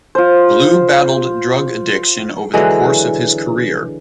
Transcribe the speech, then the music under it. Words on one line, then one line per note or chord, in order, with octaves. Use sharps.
Blue battled drug addiction over the course of his career.
F4 C5
D3 E3 F#3 G#3